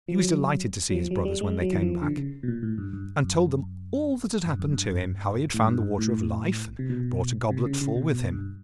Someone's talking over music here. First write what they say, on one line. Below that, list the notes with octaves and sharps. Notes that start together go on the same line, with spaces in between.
He was delighted to see his brothers when they came back, and told them all that had happened to him; how he had found the Water of Life, and brought a goblet full with him.
F3
F#3
F#3
F3
F#3
G3
G#3
F#3
E3
F3
D3
C#3
B2
A#2
A2
G2
G2
F#2
G2
F#2
G2
A2
G#2
G2
A2
C3
B2
C3
C#3
C#3
B2
B2
G2